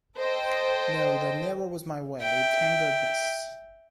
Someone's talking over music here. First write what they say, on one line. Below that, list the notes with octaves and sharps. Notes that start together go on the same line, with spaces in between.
No, that never was my way, thank goodness.
A4 C5 D#5 G5
E5 G5